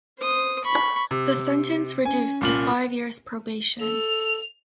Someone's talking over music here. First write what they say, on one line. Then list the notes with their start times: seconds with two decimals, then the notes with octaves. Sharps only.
The sentence reduced to five years probation.
0.18 C5 D#6
0.64 B5 C#6
1.11 C3 G4
2.05 C#4 G#5
2.41 C2 A#2 F#7
3.81 A4 F7